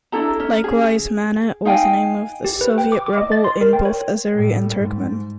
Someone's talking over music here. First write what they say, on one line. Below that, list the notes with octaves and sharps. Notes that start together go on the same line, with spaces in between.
Likewise, 'manat' was the name of the Soviet ruble in both Azeri and Turkmen.
D4 E4 A4 A#5
C#4
G#4
D#4 F5 G5 G#5
G4
B4
G5
D6
D6
D#5
A6
C6
A#4
G5
C#5
A2 G3
G#2